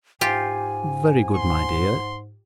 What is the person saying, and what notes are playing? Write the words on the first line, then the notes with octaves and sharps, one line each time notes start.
'Very good, my dear.
G#2 F4 G4 G#5
C6